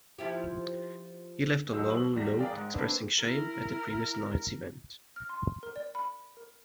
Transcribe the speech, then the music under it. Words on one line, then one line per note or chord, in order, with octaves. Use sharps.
He left a long note expressing shame at the previous night's events.
F3 E4 G4
D#1 F#3 D#4 C5 E6
F#7
E2 G3 A#6
G#4 A#4 D5 F5 G5
G#2
A#3 C4 D4 B4
E4 A#4
F6
C6
A#4
D5
B5
A#4